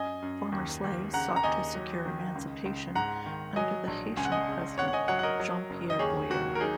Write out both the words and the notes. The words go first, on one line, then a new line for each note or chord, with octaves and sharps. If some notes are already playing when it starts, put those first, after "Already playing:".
Former slaves sought to secure emancipation under the Haitian President Jean-Pierre Boyer.
Already playing: F#2 D#5 G#5
F#2
D#2
D#2
C#3 F#5 A#5
A#5
D#2 D#5 G#5
F#3
D#3
C#2
C#2
G#2 F#5 A#5
D#3
F#3 D#5 G#5
A#1
C#2 G#5
F#5
D#5 G#5
C#3
G#1 C#5 F#5
F#5
D#5 G#5
F#3 C#5 F#5
F#5
A#4 D#5
F#3
F#1
D#5
D#2 G#4 C#5
D#2 F#4
A#4
F#3 D#4 G#4